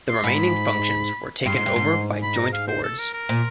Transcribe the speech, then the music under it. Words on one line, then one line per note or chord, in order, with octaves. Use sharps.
The remaining functions were taken over by joint boards.
C6
G#2 B5
G2 C6
G#2
G2
G#2
B5
A#5
F5
C5
A4
A#4
A#4
A#2